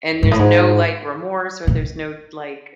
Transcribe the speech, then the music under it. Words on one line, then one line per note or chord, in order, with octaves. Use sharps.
and there's no, like, remorse or there's no, like,
G#2
A2
G#2
A#2